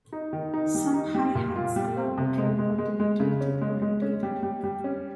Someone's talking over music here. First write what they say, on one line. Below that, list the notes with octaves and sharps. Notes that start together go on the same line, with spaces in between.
Some hi-hats allow the tripod to be tilted or rotated.
D#4
D#3
D#4
G3
D#4
G3
A#2
F4
G3
C4
C3
G#3
G#3
G#3
G#3
C#3
C#4
G#3
G#3
C#4
G3
G3
G3
C#4